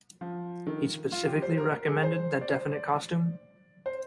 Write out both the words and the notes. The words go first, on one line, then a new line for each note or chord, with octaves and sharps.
He specifically recommended that definite costume?
F3
D#3
F4
G4
C5
A#4
A#4
G#4
C5
D5
C5
D5
C5